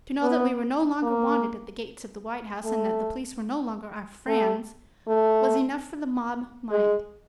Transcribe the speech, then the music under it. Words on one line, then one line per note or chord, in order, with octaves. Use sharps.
To know that we were no longer wanted at the gates of the White House and that the police were no longer our "friends" was enough for the mob mind.
B3
A#3
A3
A3
A3
G#3